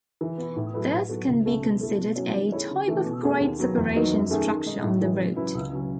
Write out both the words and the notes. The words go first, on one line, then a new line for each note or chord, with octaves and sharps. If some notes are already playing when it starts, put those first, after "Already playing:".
This can be considered a type of grade separation structure on the road.
E3
B3 E4
A2
F#3 A3 E4 B4
A2
F#3 B3 F#4 A4
C#2
B2 A3 C#4
B2
A3 E4 A4
B2
F#3 C#4 F#4 C#5
D#3
A3 E4 G#4 C#5
C#3
E3 A3
B2
A3 C#4 G#4
D#2
D#3 F#3 B3
E2
D#3 F#3 B3 D#4
F#2
D#3 A3 C#4 G#4
D#3
G#3 D#4
A2
E3 G#3
C#3
F#3 C#4 E4 B4
C#2
C#3 F#3 C#4